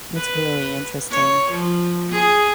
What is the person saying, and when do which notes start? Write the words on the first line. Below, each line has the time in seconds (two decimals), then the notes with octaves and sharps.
It's really interesting.
0.17 B4
1.11 C#5
1.51 F3
2.12 G#4